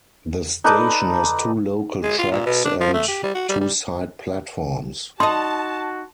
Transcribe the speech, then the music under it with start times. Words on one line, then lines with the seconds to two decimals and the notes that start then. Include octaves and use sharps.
The station has two local tracks and two side platforms.
0.64 D#4 A4 B4 D5
2.03 G#3
2.19 F4
2.32 A#2
2.46 B2
2.65 D4
2.80 F3
2.94 A3
3.08 G4
3.23 G3
3.35 F#4
3.49 G3
3.61 G3
5.20 D#4 F#4 D#5 A5 C6